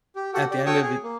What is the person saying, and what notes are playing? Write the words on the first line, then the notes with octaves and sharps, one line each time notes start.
at the end of the
G4
F#4 G4 A4 F#5
G4 D5
F#4 A4 C#5 G5 C#6 D#6
G#4
A#3